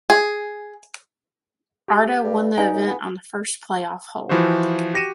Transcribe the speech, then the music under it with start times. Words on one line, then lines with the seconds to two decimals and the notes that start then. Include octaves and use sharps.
Arda won the event on the first playoff hole.
0.10 G#4
1.88 G4
2.24 G2
2.58 G2 D#4 F5 G#5
2.73 F#2
2.87 B3
4.29 E3 F3 E4 F#4 C5
4.94 F#4 G4 A#6 C#7 D#7 E7